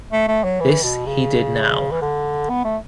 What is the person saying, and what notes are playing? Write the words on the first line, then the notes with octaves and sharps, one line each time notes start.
This he did now.
A3
A3
F#3
E3
B2
C#3
E3
D3
B3
A3